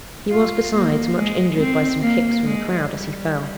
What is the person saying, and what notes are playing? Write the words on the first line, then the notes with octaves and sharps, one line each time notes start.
He was, besides, much injured by some kicks from the crowd as he fell.
F4
A#3
G#3
C4
A#3
G#3
G3